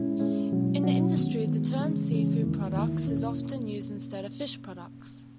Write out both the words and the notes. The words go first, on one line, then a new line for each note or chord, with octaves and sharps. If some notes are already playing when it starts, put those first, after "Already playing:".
In the industry the term "seafood products" is often used instead of "fish products".
Already playing: A#2 G#3 C#4 E4
A#2 G#3 C#4 E4
B2 F#3 C#4 F#4
B2 F#3 C#4 F#4
D#3 G#3 B3
D#3 G#3 B3
C#3 E3 G#3 C#4
C#3 E3 G#3 C#4
E2 D#3 A#3 E4
E2 D#3 A#3 E4
B2 A#3 C#4